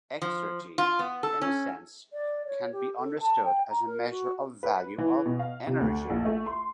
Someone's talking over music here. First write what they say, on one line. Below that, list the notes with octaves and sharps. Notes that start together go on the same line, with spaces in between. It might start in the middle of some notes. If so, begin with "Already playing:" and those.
Exergy in a sense can be understood as a measure of value of energy.
F3
F4
B3
A4
C#4
D5
C#5
G4
A4
A5
G5
A#5
A#4
F#4
B4
E3
B2
F5
C3
D2
A#1
A3
C6